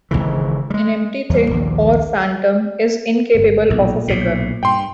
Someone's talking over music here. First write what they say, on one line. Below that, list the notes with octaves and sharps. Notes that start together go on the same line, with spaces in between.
An empty thing, or phantom, is incapable of a figure.
G#1 D#2 C#3 E3
G3 G#3
E2 G3
A#1 D#2
D1 G1
B1 A#2
B1 A2
G2 G5 C6